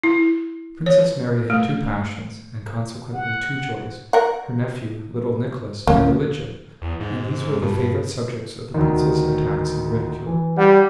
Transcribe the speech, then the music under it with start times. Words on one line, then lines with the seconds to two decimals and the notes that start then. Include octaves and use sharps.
Princess Mary had two passions and consequently two joys--her nephew, little Nicholas, and religion--and these were the favorite subjects of the prince's attacks and ridicule.
0.04 E4
0.86 C#5
1.50 A3
3.14 F#5
4.13 A#4 F#5
5.87 D2 G3 A#3 C#4
6.82 E2
7.00 G#2
7.62 G2
8.74 D2 D#3
10.27 E3
10.57 G3 F#5